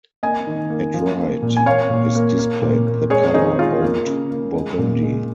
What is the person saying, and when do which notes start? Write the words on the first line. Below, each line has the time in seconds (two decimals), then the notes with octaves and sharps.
At right is displayed the color old burgundy.
0.23 A#3 D#5 G#5
0.47 D#3
0.70 A#3
0.94 F3
1.18 A#3
1.42 A#2
1.57 G#5
1.66 A#3 C#5 F5
1.90 A#2
2.15 A#3
2.39 A#3
2.62 A#2
2.87 A#3
3.10 G#3 G#4 C#5
3.34 D#3 D#4 G#4
3.59 G#3 F4
3.82 A#3
4.06 C#3
4.31 A#3
4.55 G#3
4.78 A#2
5.03 G#3